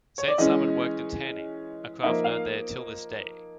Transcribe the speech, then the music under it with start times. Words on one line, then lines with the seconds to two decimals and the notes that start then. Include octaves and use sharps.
Saint Simon worked in tanning, a craft known there till this day.
0.18 C#5
0.28 D5
0.38 E3 G#3 C#4 D#5
2.03 F3 A#3 D#4 E5
2.24 F5